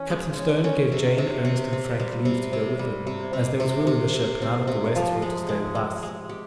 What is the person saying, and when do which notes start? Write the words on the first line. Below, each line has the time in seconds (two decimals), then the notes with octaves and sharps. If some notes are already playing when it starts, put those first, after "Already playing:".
Captain Stone gave Jane, Ernest, and Frank leave to go with him, as there was room in the ship now that the Wests were to stay with us.
Already playing: E3 C#4
0.10 G#3
0.37 C#4
0.64 C#4
0.92 C3
1.18 C3
1.45 C3
1.73 C4
2.00 G3
2.25 C3
2.53 C3
2.79 G3
3.07 C3
3.33 C3
3.60 C3
3.87 C3
4.14 C3
4.42 C4
4.67 C3
4.96 F3
5.22 G#3
5.49 G#3
5.75 G#3
6.03 G#3
6.29 G4